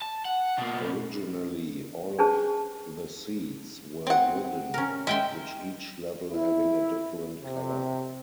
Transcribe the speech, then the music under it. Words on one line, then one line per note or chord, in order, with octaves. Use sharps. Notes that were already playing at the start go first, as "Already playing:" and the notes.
Originally, all of the seats were wooden, with each level having a different color.
A5
F#5
B2 A#3
C#4 D4 G#4 B4 C5 A5
C4 F#5
C#4 A#4
G#3 E5 G5 C6
E4
C3